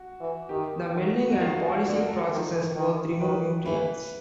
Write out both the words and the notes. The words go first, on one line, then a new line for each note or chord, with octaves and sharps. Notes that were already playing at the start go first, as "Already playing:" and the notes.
The milling and polishing processes both remove nutrients.
Already playing: F#4
E3
D#3 G4
D#3 F#4
F#4
D#3 F4
F#4
D3 G#4
A#4
A4
D#3
D#3
D#3 B4
E3 B4